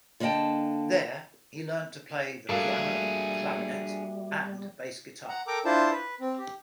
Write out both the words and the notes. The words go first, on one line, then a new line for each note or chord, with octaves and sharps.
There he learnt to play the piano, clarinet and bass guitar.
D3 A#3 D4 D#5 G5 A5
G3 A3 A#3 D4 F#4 G#4 E5
F#5 A#5
A4 A#4 G5 A#5 D6
D4 E4 F4 C5 A5
B4
C4
G4